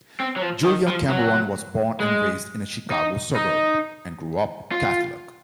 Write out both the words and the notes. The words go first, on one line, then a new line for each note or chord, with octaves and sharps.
Julia Cameron was born and raised in a Chicago suburb, and grew up Catholic.
C4
F#3
F3
D#3
F3
F#3
G#3
D#4
D#4
F4